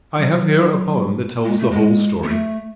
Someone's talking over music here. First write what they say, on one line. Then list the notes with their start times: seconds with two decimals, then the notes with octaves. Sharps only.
I have here a poem that tells the whole story.
0.17 F#3
1.45 G#3
1.59 A3
1.71 G#3
2.23 B3
2.28 A3